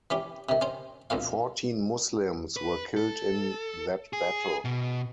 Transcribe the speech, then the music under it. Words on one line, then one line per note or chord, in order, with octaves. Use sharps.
Fourteen Muslims were killed in that battle.
E3 C#4 G4
C3 D#3
C#4 C5
A#1 F2 B2 F5
B4
A4
G#4
B2